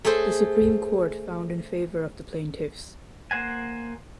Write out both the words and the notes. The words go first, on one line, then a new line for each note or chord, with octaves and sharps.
The supreme court found in favor of the plaintiffs.
A3 G#4 A4 C5
A#3 C5 F#5 G#5